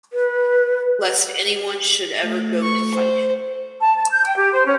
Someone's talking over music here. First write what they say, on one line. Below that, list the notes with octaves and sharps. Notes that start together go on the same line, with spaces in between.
Lest anyone should ever go to fight him.
B4
A3
C#6
C5
A5
A5
G6
G5
G4
C5
C#4